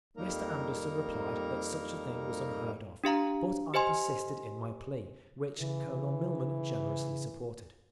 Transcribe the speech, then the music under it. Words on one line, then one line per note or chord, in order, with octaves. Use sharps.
Mr. Anderson replied that such a thing was unheard of, but I persisted in my plea, which Colonel Milman generously supported.
F2 G3 A#3 D#4 A#4 A#5
D4 G4 F5 A#5
G4 C5 D#5 G#5 C6
C#3 E3